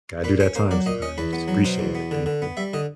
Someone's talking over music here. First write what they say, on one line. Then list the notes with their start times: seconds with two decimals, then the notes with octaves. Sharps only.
gotta do that time sometimes. Appreciate it. Thank you.
0.24 A#2 B4
0.40 C#4 C5
0.55 A#3 C5
0.71 F#3 D5
0.86 A#2 D#5
1.02 C#4 D#5
1.18 E2 B4
1.33 B3
1.48 F#3
1.64 B2 C5
1.79 E2
1.95 B3
2.11 D3
2.26 D3
2.42 B3
2.57 G3 E5
2.73 D3 D#5